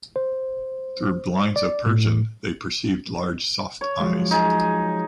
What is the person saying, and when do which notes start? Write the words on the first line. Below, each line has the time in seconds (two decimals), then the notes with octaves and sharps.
Through blinds of persian, they perceived large soft eyes.
0.16 C5
1.56 D5
1.86 A2
3.81 C#5
4.00 F3 F#3 G#3
4.31 D#4 G#4